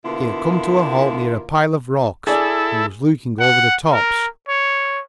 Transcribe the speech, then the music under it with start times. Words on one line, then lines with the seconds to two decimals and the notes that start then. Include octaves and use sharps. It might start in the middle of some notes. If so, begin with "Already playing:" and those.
He had come to a halt near a pile of rocks and was looking over the tops.
0.05 B2 D3 A#3 B3 E4 F4
2.27 E4 G#4 A4 D5
3.40 F#5
3.93 A#4
4.48 C#5